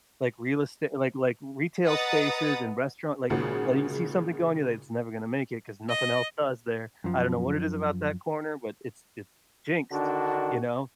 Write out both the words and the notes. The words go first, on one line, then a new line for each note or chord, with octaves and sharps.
Like, real estate like like, retail spaces and restaurant. Like like, you see something going, you're like, "It's never gonna make it 'cause nothing else does there. I don't know what it is about that corner, but it's it's jinxed," you know?
B4 D#5 F#5 A#5 D#6 A6
G#1 A#2 C#3 F#4 G#4
D#5
F#2 F3
D3 D#3 D4 F#4